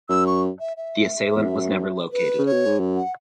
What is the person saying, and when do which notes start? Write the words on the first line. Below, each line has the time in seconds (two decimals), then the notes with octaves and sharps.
The assailant was never located.
0.09 F#2 E6
0.27 C#6
0.60 E5
0.77 E5
1.36 E2
1.44 F#2
2.12 B4
2.38 C#3
2.46 C#5
2.52 B2
2.66 G#2
2.80 F#2
2.97 F#5